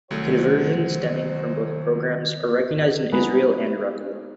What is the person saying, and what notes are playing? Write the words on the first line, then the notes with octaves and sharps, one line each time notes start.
Conversions stemming from both programs are recognized in Israel and around the world.
C2 D#3 F#3 A3 F#4 C5
G#3 B3 D#4 B4